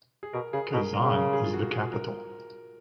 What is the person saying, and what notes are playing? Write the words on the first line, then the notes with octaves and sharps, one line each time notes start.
Kazan is the capital.
G#4
B2 A#4
C#3 G#4
B2 A#4
C#3 A#4
A#4
G#4
F4
F#4
G#4
A#4